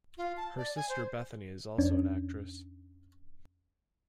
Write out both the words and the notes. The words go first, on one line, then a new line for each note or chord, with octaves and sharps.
Her sister, Bethany, is also an actress.
F4
A5
D5
G#5
C5
F2 C#4 D4